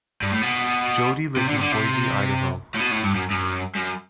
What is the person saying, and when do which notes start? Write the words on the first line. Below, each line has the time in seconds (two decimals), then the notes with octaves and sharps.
Jodi lives in Boise, Idaho.
0.22 G2
0.32 A2
0.42 B2
1.37 C3
1.49 D3
1.57 C3
1.61 D3
1.72 C3
2.75 A2
2.80 B2
2.91 A2
3.03 G2
3.15 F#2
3.31 F#2
3.75 F#2